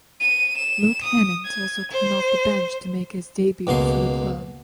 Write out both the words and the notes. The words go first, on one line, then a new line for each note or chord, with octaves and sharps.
Luke Hannant also came off the bench to make his debut for the club.
D#7
E7
D#6
G#6
C5
C#2 B2 A#3 C6